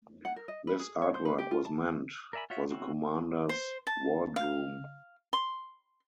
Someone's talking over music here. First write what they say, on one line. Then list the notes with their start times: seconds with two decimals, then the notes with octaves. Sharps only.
This artwork was meant for the commander's wardroom.
0.25 F#5
0.36 A#4
0.48 D#5
0.67 B4
0.80 G#4
1.02 C#5
1.14 C5
1.25 B4
1.38 G4
1.51 F4
1.65 A5
2.33 A#4 D5 E5 G#5 B5
2.50 F4 F#4 C#5 E5
2.71 C4 C#4 E4 F#4
3.49 C5
3.87 A5
4.36 F5
5.33 C6